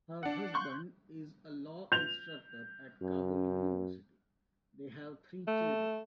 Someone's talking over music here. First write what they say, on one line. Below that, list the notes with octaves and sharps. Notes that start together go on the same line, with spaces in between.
Her husband is a law instructor at Kabul University; they have three children.
D4 F#5
C6 C#6 F#6 G6
G6 F7
F#2
A3